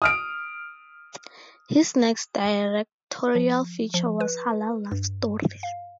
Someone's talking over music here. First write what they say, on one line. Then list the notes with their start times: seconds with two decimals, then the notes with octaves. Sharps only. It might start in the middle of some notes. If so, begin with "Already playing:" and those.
His next directorial feature was "Halal Love Story".
0.02 D#6 F6 D7
3.35 F3
3.94 F3
4.20 B4
4.91 G2
5.63 F5